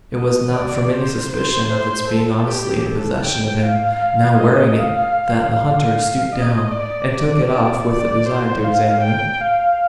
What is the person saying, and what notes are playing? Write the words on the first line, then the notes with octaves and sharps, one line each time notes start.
It was not from any suspicion of its being honestly in possession of him now wearing it that the hunter stooped down, and took it off with the design to examine it.
D#5
D5
C5
C5
C5
A4
G4
A4
G5
F5
D#5
F5
F5
D#5
D5
D5
D5
C5
F5
G5
F5